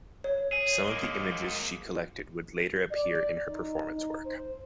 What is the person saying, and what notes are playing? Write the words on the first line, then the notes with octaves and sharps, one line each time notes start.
Some of the images she collected would later appear in her performance work.
C#5
G#4
G#3 A#3
D5
D#4
D#4
C5